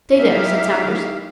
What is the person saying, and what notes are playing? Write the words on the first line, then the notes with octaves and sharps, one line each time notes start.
"Stay there," said Saunders.
F#3 D#4 E4 G4 E5 F5